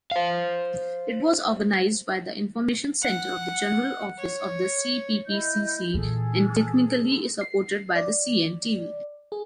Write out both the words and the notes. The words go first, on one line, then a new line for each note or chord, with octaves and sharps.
It was organized by the Information Center of the General Office of the CPPCC and technically supported by the CNTV.
C5 F5
F#5
C#5
E4 D#5 G6
A#2 E3 G#4 A4
C7
D5
G#4